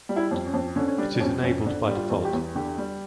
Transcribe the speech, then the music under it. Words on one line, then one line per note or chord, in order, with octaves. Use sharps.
It is enabled by default.
G3
E4
F2
C#4
F2
D3 C#4
C#4
G3 D4
D4
F2 C#4
F2 C#4
D3 D4
G3
F4
E2
G4
E2
D3 G4
G3